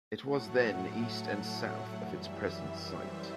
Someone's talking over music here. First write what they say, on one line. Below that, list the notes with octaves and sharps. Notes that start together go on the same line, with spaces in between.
It was then east and south of its present site.
A2 F#3 A3 F#5
F#2 E3 G3 E5
C5